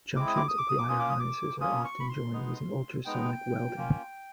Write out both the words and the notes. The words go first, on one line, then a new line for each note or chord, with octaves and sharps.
Junctions of wire harnesses are often joined using ultrasonic welding.
G#3 C4 E4 D6
D#6
D6
D#6
D6
D#6
D6
A#3 C#4 F4 D#6
D6
D#6
D6
A#3 C#4 F4 D#6
C#6
B5
C6
G#3 B3 D#4
G#3 B3 D#4 G5
A#3 C#4 F4